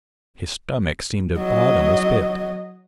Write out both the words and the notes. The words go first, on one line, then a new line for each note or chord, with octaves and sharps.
His stomach seemed a bottomless pit.
F#3 D#5